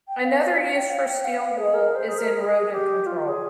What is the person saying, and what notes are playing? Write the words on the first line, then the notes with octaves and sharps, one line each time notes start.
Another use for steel wool is in rodent control.
G5
F5
F5
F5
G5
F5
G5
F5
F5
G#4
A#4
C5
G#4
A#4
G#4
G4
F4
G#4